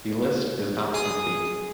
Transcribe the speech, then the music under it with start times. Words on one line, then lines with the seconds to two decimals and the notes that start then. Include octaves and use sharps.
The list is not complete.
0.94 G#4 D#6